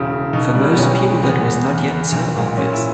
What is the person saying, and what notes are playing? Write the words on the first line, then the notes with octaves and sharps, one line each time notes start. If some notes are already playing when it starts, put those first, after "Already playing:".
For most people that was not yet so obvious.
Already playing: E1 C#3 E4
E1
B2 D#4
G3
B3
B1 C#4
G#3
E2 B3
E2
E2
E2
B1
A#2
A#2 C#4
E4